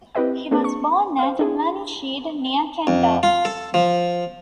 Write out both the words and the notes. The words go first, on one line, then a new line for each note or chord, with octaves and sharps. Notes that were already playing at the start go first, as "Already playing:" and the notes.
He was born at Burnishead, near Kendal.
C4 E4 G4 B4 D#5 G5
A#3 C4 D4 G#4 B4
C#6
C5 F5
D4 E4 G#4
F2
F4
A4
F3